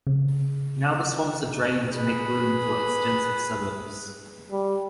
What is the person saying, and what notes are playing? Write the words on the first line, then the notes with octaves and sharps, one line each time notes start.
Now the swamps are drained to make room for extensive suburbs.
C#3
G#4 B4
G3